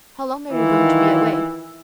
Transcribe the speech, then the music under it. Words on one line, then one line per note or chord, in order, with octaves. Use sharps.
"How long are you going to be away?"
D#3 E3 F4